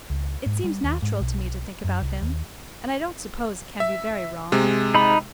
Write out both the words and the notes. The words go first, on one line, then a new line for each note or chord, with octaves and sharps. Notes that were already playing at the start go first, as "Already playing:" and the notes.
It seems natural to me to think about him, and I don't suppose it can be very wrong.
C#2
G#2
G3
D#2
G#2
B1
F#2
C2
D#2
E5
C3 G#3
D#4 B5